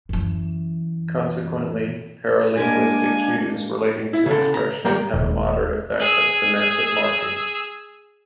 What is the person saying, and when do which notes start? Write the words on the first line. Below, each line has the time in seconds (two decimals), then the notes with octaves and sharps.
Consequently, paralinguistic cues relating to expression have a moderate effect of semantic marking.
0.09 F#2 E3
2.57 G3 G#3 A#3 D4 G#5
4.13 E4
4.26 C#3 A4
4.54 A#5
4.85 G3 A#3 A#4 F5 G5
5.13 D#1
6.00 G#4 E6